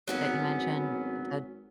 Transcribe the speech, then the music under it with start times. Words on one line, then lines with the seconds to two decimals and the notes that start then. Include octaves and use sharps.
that you mentioned? Eh th
0.08 G#1 F#3 B3 C#4